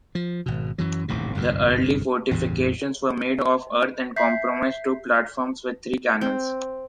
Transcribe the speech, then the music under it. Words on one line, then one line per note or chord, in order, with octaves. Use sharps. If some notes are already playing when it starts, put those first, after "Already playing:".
The early fortifications were made of earth and comprised two platforms with three canons.
F3
G#1 B2
F#2 E3 F#3
D#1 A1 G#2 C3
G1 C2 F2 G#2
A1 E2 G2 C#3
E5 G6 B6 C7
C4